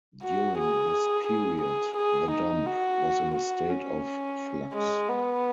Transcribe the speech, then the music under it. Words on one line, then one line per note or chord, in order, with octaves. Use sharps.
During this period, the dump was in a state of flux.
F#4
G#4
G#4
G#4
G#4
D#4
F#4
F#4
C#4
G#3
B3